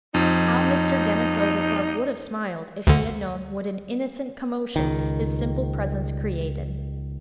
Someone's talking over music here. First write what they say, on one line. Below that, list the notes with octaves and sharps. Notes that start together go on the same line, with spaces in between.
How Mr. Denis Oglethorpe would have smiled if he had known what an innocent commotion his simple presence created!
F2 D#4
D2 D3
C#2 D#3